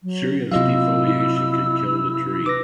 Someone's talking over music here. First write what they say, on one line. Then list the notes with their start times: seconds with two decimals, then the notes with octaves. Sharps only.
Serious defoliation can kill the tree.
0.03 F#3
0.52 C3 F#3 E4 F4 D#5 F5 E6
2.46 B4 D6 A#6